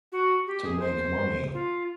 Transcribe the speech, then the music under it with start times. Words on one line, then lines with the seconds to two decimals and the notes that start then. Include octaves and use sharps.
To make money.
0.12 F#4
0.47 G4
0.64 G#4
0.80 C5
1.54 F4